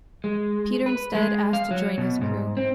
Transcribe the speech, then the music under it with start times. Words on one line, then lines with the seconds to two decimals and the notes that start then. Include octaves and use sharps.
Peter instead asks to join his crew.
0.24 G#3
0.86 B4
1.15 G#3
1.53 F5
1.71 F#3
1.98 B2
2.21 G#2
2.57 C4